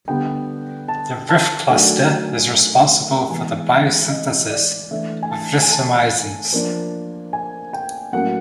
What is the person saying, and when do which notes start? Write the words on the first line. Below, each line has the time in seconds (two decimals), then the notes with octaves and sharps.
The "rif" cluster is responsible for the biosynthesis of rifamycins.
0.08 D3 G3 B3 G5
0.88 A5
1.29 A5
1.70 D#3 F#3 A3 D4 G#5
3.30 E3 G#3 B3 G#5
4.10 D#5
4.50 D5
4.91 E3 A3 D4 E5
5.23 G#5
5.31 A5
5.62 G#5
5.72 A5
6.53 F3 A#3 D4
7.33 G#5
7.73 G5
8.13 A2 F#3 A#3 C#4 F#5